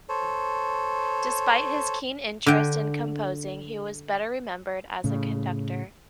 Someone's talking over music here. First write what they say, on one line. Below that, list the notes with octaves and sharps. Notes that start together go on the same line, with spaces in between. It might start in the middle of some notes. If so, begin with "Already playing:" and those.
Despite his keen interest in composing, he was better remembered as a conductor.
A4 C5 C#5
D3 G5
A2 C#3